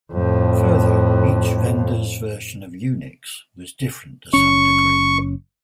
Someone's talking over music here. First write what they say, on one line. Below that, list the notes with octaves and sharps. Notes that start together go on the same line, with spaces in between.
Further, each vendor's version of Unix was different to some degree.
F2 A2
F#1 C#4 C#6